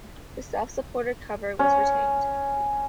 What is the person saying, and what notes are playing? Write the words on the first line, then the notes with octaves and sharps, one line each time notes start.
The self-supported cover was retained.
C#4